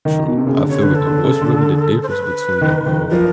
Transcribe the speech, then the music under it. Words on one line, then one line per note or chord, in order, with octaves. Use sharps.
True. I feel it though. What's really the difference between a, um,
D#3
B2
C3
C#3
D3
C#5
D3 B4
A4
D3
C#3
D3
C5
B4
D#3
D#3
F3 A#4